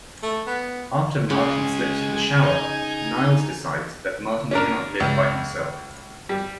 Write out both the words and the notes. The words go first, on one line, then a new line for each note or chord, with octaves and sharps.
After Martin slips in the shower, Niles decides that Martin cannot live by himself.
A3
B3
C#3 G#3 C#4 G#5
D#4
C#4 D4 A#4
C#2
G3